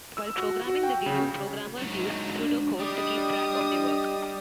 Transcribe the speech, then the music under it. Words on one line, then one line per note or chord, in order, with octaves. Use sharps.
While programming the game, programmers used pseudo-code to keep track of their work.
E6
F#4
F#4
G5
C#3
G#2 F#3
D4
G3 D4 G4 D5 D#5 D#6